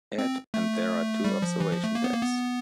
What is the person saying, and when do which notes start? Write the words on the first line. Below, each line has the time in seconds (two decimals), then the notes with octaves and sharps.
At and there are two observation decks.
0.18 C4
0.54 A3
1.25 G3
1.42 F3
1.60 E3
1.72 F3
1.84 A3
1.95 A#3
2.04 B3
2.13 A#3
2.22 B3